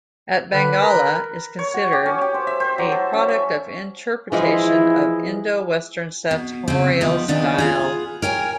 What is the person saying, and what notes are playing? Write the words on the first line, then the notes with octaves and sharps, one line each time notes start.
A Bandgala is considered a product of interpretation of Indo-Western sartorial style.
D3 B4
A#4
C#5
F#4
G4
C#4
G4
C5
E5
C5
F#3
A4
C#4
E5
E3 F3 G#3 E4 G#4
B2
C#3 C4
D#3 F3 B3
E2 A#2 D#3 B3 D4 D#5
B3 F4 G#4
A#4 C#5 G5 G#5